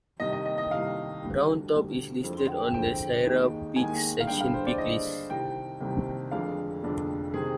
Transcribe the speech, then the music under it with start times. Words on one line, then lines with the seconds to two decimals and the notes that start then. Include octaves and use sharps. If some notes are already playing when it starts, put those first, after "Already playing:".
Round Top is listed on the Sierra Peaks Section peak list.
0.20 C2 C3 D#3 D#5
0.33 D#5
0.45 D#5
0.58 D#5
0.71 C2 C3 D#3 F5
1.22 D2 D3 G3
1.73 D2 D3 G3
2.24 F2 D3 G#3 C4
2.74 F2 D3 G#3 C4 G5
3.25 D#2 D#3 G#3 D#4
3.76 D#2 D#3 G#3 D#4 G#5
4.20 F5
4.27 G2 D3 G#3 D4 G5
4.41 F5
4.54 C5
4.67 D5
4.78 G2 D3 G#3 D4 D#5
5.30 C2 C3 D#3 G3 C4 G5
5.81 C2 C3 D#3 G3 C4
6.31 F1 F2 D3 G#3 D4 F5
6.83 F1 F2 D3 G#3 D4
7.33 C3 D#3 G#3 C4 G#4